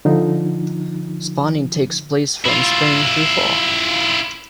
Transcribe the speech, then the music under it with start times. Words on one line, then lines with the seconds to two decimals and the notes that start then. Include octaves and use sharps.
Spawning takes place from spring through fall.
0.05 D3 F3 D#4
2.45 E4 F4